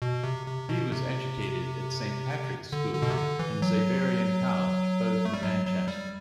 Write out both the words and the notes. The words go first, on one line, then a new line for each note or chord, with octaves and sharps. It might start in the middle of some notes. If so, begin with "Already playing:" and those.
He was educated at Saint Patrick's School and Xaverian College, both in Manchester.
B2
C3
C3
B2
C3
D3
D3
B2
C3
D3
E3
F#3
A3
G3
F#3
F#3
G3